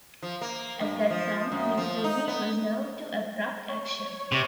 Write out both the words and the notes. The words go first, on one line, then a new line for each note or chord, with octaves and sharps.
At that sound Mr. V. was nerved to abrupt action.
F3
A#3
G2
F3
F#2
F3
D#4
B3
C#5
C3